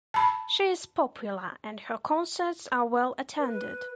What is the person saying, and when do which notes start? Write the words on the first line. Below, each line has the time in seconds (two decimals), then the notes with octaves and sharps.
She is popular and her concerts are well attended.
0.14 A5 B5
3.37 B4